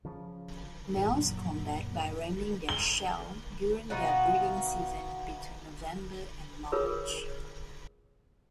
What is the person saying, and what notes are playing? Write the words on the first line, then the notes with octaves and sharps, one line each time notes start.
Males combat by ramming their shell during their breeding season between November and March.
C#3 F3
G#2 E3
F#2 A#2 F#3
G7
B2 D#4 F4 F#4
F4 G#4 A#4 B4 C#5